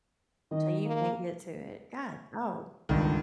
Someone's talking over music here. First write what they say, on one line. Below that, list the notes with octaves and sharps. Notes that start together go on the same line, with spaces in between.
So you can't get to it. God, oh.
D#3 D#5
A#3
C#2 G2 D3 D#3